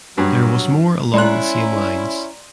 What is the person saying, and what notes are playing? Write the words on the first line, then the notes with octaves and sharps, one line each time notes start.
There was more along the same lines.
G2 F#3
G#3 C#4 E4 D5 A#5 C6 F#6